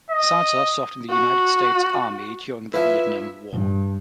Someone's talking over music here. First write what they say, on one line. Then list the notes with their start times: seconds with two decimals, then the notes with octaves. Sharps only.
Sulzer served in the United States Army during the Vietnam War.
0.10 D#5
1.10 F#4
2.74 F3 C#4 E4 B4 E5
3.52 G2